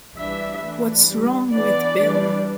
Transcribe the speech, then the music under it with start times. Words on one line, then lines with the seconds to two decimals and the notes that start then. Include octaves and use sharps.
What's Wrong with Bill?
0.17 E3 G3 D4 E5
0.62 E3 A3 D4
1.07 G3 D4
1.51 E3 B3 D4 D5
1.97 E3 G3 D4